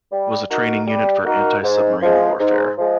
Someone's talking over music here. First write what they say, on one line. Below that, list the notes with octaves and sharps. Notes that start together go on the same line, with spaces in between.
Was a training unit for antisubmarine warfare.
G3
A#3 D#4 F#4 A#4
G3
A#3 D#4 F#4 A#4
G#2
F3 G#3
G#2
F3 G#3